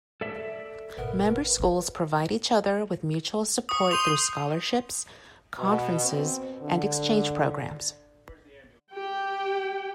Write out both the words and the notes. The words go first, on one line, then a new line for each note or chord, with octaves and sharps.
Member schools provide each other with mutual support through scholarships, conferences, and exchange programs.
A4 D5 E5
G#1 B2 A#4 B4 F#5
C#6 D#6
C6 G6 D#7 F7
B2
C4
D3
G4 G5